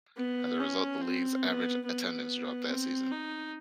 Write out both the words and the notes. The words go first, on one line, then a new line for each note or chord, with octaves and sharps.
As a result, the league's average attendance dropped that season.
B3
C#4
C4
B3
B3
C4
D#4